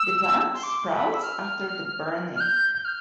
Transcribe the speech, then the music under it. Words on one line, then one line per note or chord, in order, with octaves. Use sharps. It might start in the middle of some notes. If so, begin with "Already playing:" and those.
The plant sprouts again after burning.
Already playing: E6
C6
D6
B5
E6
F6
F6
G6
G6
F6